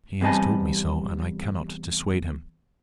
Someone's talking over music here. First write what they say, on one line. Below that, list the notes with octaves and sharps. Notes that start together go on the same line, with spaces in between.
He has told me so, and I cannot dissuade him.
E2 C3 G3 D#5 G#5 A5